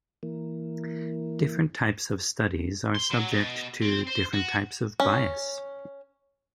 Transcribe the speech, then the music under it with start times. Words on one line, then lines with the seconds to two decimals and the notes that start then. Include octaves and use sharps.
Different types of studies are subject to different types of bias.
0.23 E3 A#3
2.95 C6
3.11 F#3
3.31 B2
3.82 C4
4.07 C5
4.33 F#4
5.00 C#4